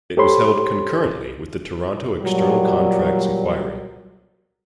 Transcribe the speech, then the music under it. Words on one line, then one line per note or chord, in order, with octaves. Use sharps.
It was held concurrently with the Toronto External Contracts Inquiry.
G4 A4 C5 C#5 B5 C6
A#2 F#3 G3